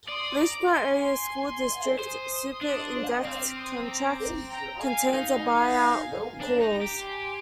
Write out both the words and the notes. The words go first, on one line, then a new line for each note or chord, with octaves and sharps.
Leechburgh Area School district superintendeet contract contains a buyout clause.
D5 C6 D#6
A#5 D6
G#5 C6
C5 C6 D#6
D4
C4 D6 F6
C6 D#6
A#5 D6
G5 A#5
F5 G#5
D#4 F5 G#5
D4 G5 A#5
D#4
G4
G#5 C6